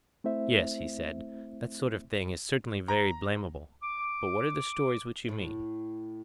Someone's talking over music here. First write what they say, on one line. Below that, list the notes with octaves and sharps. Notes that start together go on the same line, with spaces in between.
Yes, he said, that sort of thing is certainly very blameable; but what are the stories which you mean?
A3 C4 E4 C5 E5
A#5
D6
A2